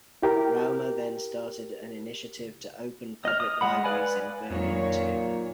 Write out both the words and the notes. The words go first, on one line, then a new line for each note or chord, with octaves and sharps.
Raumer then started an initiative to open public libraries in Berlin too.
E4 G4 A#4
D#5 F6
D#6
G#3 F#5 B5
B4 D5 F5 G#5
F2 A#2 D#3 F#3 C#5